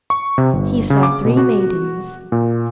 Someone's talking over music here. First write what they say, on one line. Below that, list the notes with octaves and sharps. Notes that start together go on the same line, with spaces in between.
He saw three maidens.
C#6
C3
G1
C#3
D6
B2
F#4
A#2